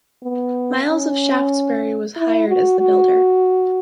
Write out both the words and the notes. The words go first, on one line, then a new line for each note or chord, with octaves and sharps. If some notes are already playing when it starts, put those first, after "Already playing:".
Miles of Shaftesbury was hired as the builder.
B3
C#4
E4
F#4
F#4